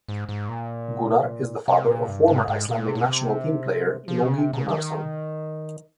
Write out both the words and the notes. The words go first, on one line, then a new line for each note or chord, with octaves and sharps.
Gunnar is the father of former Icelandic national team player Logi Gunnarsson.
G#2
G#2
A#2
C3
A#2
G2
G#2
G#2
A#2
C3
A#2
C3
F3
C#3
C3
C#3
D#3